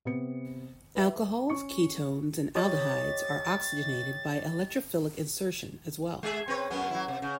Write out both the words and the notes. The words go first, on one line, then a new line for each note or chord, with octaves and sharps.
Alcohols, ketones, and aldehydes are oxygenated by electrophilic insertion as well.
C3 B3 C#7
B4 E5
C#4 C#6 C#7
G4 C#5 D#5 A6
G#3 G#4 E5
C4 B4 C#5
F#2 B3 C#4
F#3 E4
C3
C#3